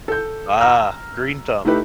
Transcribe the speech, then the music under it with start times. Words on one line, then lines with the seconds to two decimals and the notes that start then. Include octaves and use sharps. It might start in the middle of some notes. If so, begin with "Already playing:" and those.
Ah, green thumb.
0.08 A4 G6
0.61 A#5 E6 F6
1.65 A3 D#4 E4 G4 B4